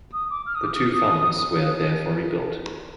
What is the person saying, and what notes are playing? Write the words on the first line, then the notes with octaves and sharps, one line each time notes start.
The two fountains were therefore rebuilt.
D#6
D6
F6
D#6
D6
D#6